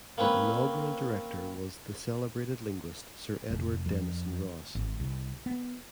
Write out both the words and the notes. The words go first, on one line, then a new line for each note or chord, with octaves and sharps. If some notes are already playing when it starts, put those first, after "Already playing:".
The inaugural director was the celebrated linguist Sir Edward Denison Ross.
A#3 C4 C#4 B4
F1
F2
G#1
C2
B3